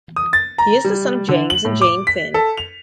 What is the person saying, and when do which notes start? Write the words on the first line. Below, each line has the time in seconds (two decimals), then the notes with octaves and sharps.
He is the son of James and Jane Finn.
0.16 D#6
0.33 A6
0.58 A#5
0.85 G3
1.29 D3
1.50 F#7
1.65 A2
1.81 D6
2.07 B6
2.34 A4
2.57 F7